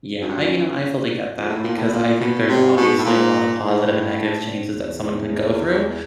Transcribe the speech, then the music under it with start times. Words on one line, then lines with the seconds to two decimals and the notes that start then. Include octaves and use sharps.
Yeah, I you know, I fully get that because I think there's obviously a lot of positive and negative changes that someone can go through,
0.22 F#2
0.29 G2
0.36 F#2
1.35 F2
1.49 A2
1.63 A#2
1.77 A2
1.91 A#2
2.20 B2
2.48 C3
2.76 B2
2.98 A2
3.05 A#2
3.61 A2
4.75 E2